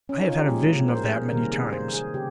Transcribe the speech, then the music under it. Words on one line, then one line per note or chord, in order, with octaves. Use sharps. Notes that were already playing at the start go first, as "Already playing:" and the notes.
I have had a vision of that many times.
C#4
D#4
F4
G4
A#2 F3 G#3 G#4
C5
A#4
G#4
C3 D#3 G3 A#3 A#4
G#4
C5
G#4
C#3 G4